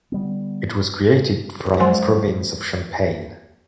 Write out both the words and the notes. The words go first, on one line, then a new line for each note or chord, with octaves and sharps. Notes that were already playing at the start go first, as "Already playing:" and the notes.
It was created from the province of Champagne.
D3 G3 B3
F3 F#3 G#3 C5 G#5 C6